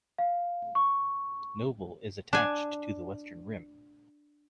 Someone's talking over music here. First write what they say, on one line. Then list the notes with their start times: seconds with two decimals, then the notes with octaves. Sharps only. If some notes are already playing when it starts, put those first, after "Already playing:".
Nobile is attached to the western rim.
0.18 F5
0.75 C#6
2.33 D4 G#5